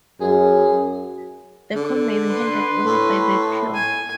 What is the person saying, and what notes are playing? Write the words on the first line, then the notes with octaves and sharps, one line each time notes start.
The corn may be handled only by the pure.
F#2 G#4
D3
B4 C6
A2
G#5